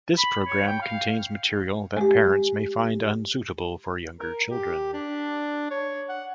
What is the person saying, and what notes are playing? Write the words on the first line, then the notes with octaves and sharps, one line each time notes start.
This program contains material that parents may find unsuitable for younger children.
B5
C#5
G5
F5
G#3 G4
A#4
G4
D4
C#5
F#5